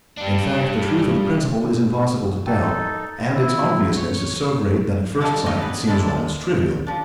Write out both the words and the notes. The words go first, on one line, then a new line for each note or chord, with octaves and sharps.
In fact, the truth of the principle is impossible to doubt, and its obviousness is so great that at first sight it seems almost trivial.
G3 D4
D#4 F#4 A4 G5
D#5
D#3 E4 F4 C5
A#2 D#3 G#3
C#5
F3 G3 D4 D#4 A4
A#3 C4 D#4 C#5 D#5 G5
B3 D4 G#4 B4
D3 G3 G#3 D4 E4 A5
A#2 G#3
F3 D4